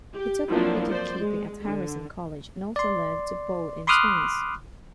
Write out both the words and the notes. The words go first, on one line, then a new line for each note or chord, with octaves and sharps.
He took up wicket-keeping at Harrison College and also learned to bowl inswingers.
G4
F3 F#3 A#3 C4 D4 E4
F3 C5 D5
G#3
D3
D5 C6
B5 C6 D6 D#6 F6 F#6